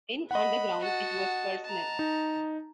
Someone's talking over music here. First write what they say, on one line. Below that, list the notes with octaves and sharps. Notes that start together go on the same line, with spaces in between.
In "Underground", it was personal.
D#5 F#5 B5
F#4 A5
A5 A#5
D#4